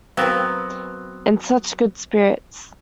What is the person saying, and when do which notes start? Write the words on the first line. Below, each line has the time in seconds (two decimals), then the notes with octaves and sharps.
In such good spirits.
0.17 F#3 B3 C4 A#4 B4 F5 G5